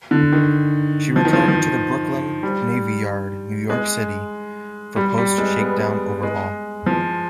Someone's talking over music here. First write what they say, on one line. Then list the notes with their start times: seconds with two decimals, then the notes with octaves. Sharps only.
She returned to the Brooklyn Navy Yard, New York City, for post-shakedown overhaul.
0.11 D3
0.32 D#3
1.16 F3
1.25 D#3
1.33 F3
1.48 F3
2.43 G3
3.70 G#3
4.96 G3
5.18 G3
5.38 G#3
5.60 B3
6.23 G#3
6.86 F3